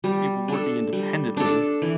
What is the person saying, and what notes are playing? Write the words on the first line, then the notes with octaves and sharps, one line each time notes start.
people working independently,
G3
D4 A4
G3
D4 A4
E3